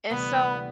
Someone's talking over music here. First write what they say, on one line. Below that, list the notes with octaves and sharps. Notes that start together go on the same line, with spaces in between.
And so
D2 C3 E3 G3 B3